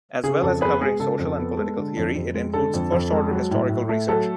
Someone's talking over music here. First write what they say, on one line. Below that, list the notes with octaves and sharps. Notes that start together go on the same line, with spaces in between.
As well as covering social and political theory, it includes first-order historical research.
C#3 G#4
F2 A4
B3 G#4 B4
G#3 G#4
C#3 A4
F2
B3
G#3
D3
F2
F2
G#3
D3 A4
F2
F2
G#3
F#3
A2
A2
A3
F#3 A4